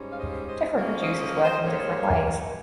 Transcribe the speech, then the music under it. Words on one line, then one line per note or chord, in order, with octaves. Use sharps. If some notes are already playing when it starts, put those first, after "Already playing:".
Different producers work in different ways.
Already playing: G#2 G3 C#4
F5
C5 D#5
C5 D#5
C#3 F3 A#3 C#4 A#4 C#5
C5 D#5
C5 D#5
C5 D#5
G#2 D#3 G3 A#3 C#5 F5